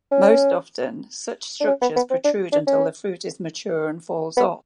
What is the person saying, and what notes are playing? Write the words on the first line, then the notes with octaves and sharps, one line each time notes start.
Most often such structures protrude until the fruit is mature and falls off.
C#4
D4
C#4
B3
B3
C4
D4
D4
C#4
B3